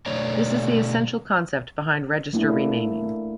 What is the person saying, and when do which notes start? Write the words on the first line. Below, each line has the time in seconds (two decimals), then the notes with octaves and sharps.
This is the essential concept behind register renaming.
0.06 B2 D3 A3 C#5 D5 A#5
2.33 A3 A#3 D4 E4